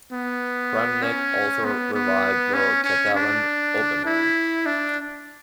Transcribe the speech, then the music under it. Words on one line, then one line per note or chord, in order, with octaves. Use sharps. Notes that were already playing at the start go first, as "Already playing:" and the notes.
Kramnik also revived the Catalan Opening.
B3
C#4
B3
B3
C#4
C#4
D4
E4
D4